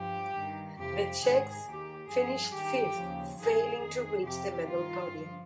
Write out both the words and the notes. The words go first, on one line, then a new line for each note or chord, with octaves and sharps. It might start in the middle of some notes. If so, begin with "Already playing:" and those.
The Czechs finished fifth, failing to reach the medal podium.
Already playing: G2 F3 G4
G2 D#3
F2 C3 F3 G4
G#2 D#3 G#4
D#2 D#3 G4
G2 F3 G#4
G2 D#3 G4
D#2 C#3 F3
G2 D#3 G#4
F2 D#3 G#4
F2 C3 F3 G4
G2 D#3 F4
G2 F3